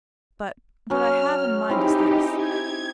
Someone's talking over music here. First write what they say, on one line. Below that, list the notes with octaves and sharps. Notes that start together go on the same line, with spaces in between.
But what I have in mind is this.
F#3 C#4 F6
C4 D#4 E4 G4 G#4
G#6